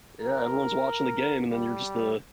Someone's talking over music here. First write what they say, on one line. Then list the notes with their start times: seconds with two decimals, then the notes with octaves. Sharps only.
Yeah, everyone's watching the game, and then you're just, uh,
0.20 A#4
1.51 G3